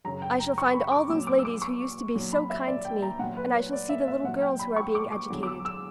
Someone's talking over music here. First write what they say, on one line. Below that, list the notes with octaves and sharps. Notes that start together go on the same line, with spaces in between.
I shall find all those ladies who used to be so kind to me, and I shall see the little girls who are being educated.
F#2 C#3 F#3 A#5
G5
A#5
C#6
B5
D6
A#2 F#3 E6
D6
E6
D6
C#6
A#2 F#3
B5
E5
D5
G5
A#5
A#2 F#3 F#5
B4
C#5
D5
E5
E5
A#2 F#3 F#5
G5
B5
C#6
D6
D6
E2 D3 F#3
D6
E6
E6